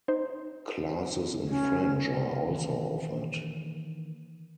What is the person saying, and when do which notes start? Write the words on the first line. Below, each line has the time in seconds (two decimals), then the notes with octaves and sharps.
Classes in French are also offered.
0.08 D#4 C5
1.48 C#4
2.50 D#3 E3 A#3